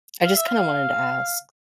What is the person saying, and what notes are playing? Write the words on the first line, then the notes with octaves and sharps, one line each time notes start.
...I just kinda wanted to ask
F5
E5
F5